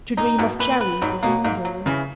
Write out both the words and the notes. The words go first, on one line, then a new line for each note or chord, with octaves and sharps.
To dream of cherries is evil.
A#2 D#4
G#2 B2
A#2 B4
B4
G#2 F#3
B2 A#3
G#2 A#3
F#3
C#3 E3